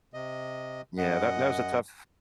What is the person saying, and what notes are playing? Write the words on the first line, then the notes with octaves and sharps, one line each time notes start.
Yeah, that that was a tough
C3 D#5
F#2 D#5 F#5